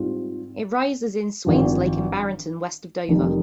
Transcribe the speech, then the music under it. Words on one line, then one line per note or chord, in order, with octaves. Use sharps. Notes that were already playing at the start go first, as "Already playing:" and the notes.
It rises in Swains Lake in Barrington, west of Dover.
Already playing: G#2 G3 C4 F4
G#1 G2 F3
F1 F2 D#3 G3